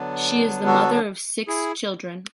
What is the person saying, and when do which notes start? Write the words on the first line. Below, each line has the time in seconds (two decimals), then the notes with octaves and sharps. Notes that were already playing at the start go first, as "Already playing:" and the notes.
She is the mother of six children.
Already playing: D3 F#3 B3 D4
0.66 F#4 A4
1.47 E4 G#4